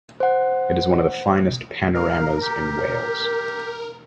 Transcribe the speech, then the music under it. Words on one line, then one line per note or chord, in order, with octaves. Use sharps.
It is one of the finest panoramas in Wales.
C5 F#5
A#4 F5
G4